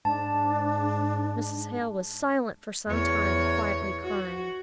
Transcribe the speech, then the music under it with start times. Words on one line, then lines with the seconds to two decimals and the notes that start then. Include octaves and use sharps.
Mrs. Hale was silent for some time, quietly crying.
0.05 G#2 D4 A5
2.88 E2 C#5
4.04 F#4